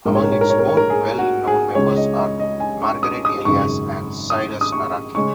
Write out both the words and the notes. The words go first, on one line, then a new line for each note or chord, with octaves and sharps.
Among its more well known members are Margaret Elias and Sirus Naraqi.
A#1 G#2 G#3 A#4
C#5
A#4
C#5
A#4
C#5
A#4
C#5
A#4
G#4
F#4
G#4
C#2 C#3 G#3 C#5
D#5
D#5
D#5
G#5
C#6
D#6
D#6
G#1 F#2 C#3 C#6
D#6
D#6
C#6
C#3 G#3 C#4 C#6